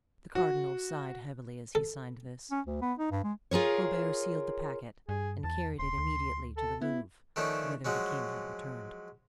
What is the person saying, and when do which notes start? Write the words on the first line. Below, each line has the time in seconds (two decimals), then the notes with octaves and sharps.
The cardinal sighed heavily as he signed this; Colbert sealed the packet, and carried it immediately to the Louvre, whither the king had returned.
0.35 F#4
1.75 A4
2.51 C#4
2.67 D2
2.82 B3
2.99 D#4
3.11 G2
3.24 G#3
3.51 F4 G#4 A#4 C#5
5.09 G2 G#4
5.44 E2 A5
5.79 D#1 C6
5.98 D2
6.57 A4
6.82 B3 E4
7.36 D#3 F3 A3 C#4 D4
7.85 F3 F#3 G#3 C#4